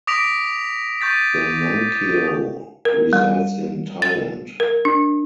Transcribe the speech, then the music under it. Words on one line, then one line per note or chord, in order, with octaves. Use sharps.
The nuncio resides in Thailand.
D6 D#6 A#6 B6 D7 F7
C#6 G6 A6 B6
A#4
G3
A6
A#4
D4